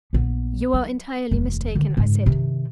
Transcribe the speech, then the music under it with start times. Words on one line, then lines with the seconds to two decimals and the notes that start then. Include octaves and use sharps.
"You are entirely mistaken," I said.
0.13 A#1 B3
0.74 F#3
1.31 F1 D#2
1.75 D3 D#3
1.97 G#2 C#3
2.26 C3 D#3